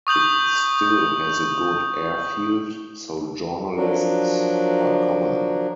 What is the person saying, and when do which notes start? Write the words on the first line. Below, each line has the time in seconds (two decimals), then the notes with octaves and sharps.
It still has a good airfield, so journalists are common.
0.07 C#6 D#6 G6 F#7
3.76 F3 F#3 D4 F#4 A#4